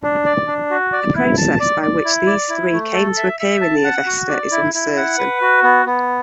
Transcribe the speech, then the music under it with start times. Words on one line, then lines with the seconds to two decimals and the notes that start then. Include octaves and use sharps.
The process by which these three came to appear in the Avesta is uncertain.
0.03 D4
0.25 D5
0.47 D4
0.71 F#4
0.93 D5
1.15 E4
1.37 A5
1.60 D5
1.82 D5
2.05 E4
2.27 D5
2.49 E4
2.72 A3
2.94 A4
3.17 E5
3.40 E5
3.61 A5
3.84 F#5
4.06 F#4
4.28 D5
4.52 E4
4.74 E4
4.97 F#5
5.18 B4
5.41 F#4
5.63 B3
5.86 B3